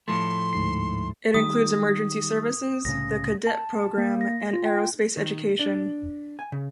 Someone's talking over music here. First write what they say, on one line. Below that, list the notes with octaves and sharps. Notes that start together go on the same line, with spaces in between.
It includes emergency services, the cadet program, and aerospace education.
A2 F3 A3 C6
D2 G#2 C7
D#3 G3 D#6
C2 A2 C#3 A#6
A5
A#3
A#6
F4
G5
D#3
D4
G#5
C#3